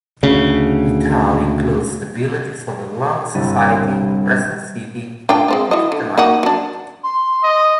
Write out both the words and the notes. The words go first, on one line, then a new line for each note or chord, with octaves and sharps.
The town includes the villages of Long Society, Preston City, and Poquetanuck.
D2 C#3
G1 C2 E4 E5 A6 D#7
D4 F4 G5
G#3 C4 F4
E4 F#4 D#5
D3
A#3 D#4 F#4
F#3 D4
C6
D#5